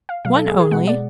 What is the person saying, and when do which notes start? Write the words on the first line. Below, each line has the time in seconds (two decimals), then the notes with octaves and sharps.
"One only?"
0.09 F5
0.25 B2 F#3 F5
0.36 A4
0.48 G#4
0.60 G#4
0.71 B2 G#3 F#5
0.87 D5